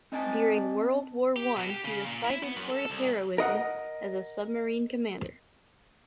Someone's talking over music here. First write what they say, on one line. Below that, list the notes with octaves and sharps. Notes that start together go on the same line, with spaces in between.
During World War One, he was cited for his heroism as a submarine commander.
C4 D#5 G#5 A5
G4
B2
G4
C#3
A#2
E4
B3
F#2
A4
C2
A#4 D#5 F#5